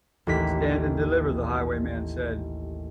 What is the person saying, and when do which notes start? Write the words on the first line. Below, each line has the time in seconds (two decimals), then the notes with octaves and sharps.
Stand and deliver, the highwayman said.
0.27 A1 D#2 B6